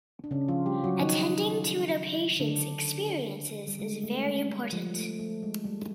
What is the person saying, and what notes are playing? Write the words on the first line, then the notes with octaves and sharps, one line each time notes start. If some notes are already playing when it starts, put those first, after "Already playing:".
Attending to the patient's experiences is very important.
D4
C#3 C#4
F3 F4
G3 G4
F#3 F#4
D#3 D#4
D3 D4
G3
G#3
A3
G#3
G3
F3
A3
A3
G#3
G3